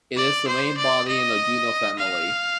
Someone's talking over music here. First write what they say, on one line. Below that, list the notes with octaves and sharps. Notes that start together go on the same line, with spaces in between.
It is the main body in the Juno family.
D5
C5
D5
D#5
F5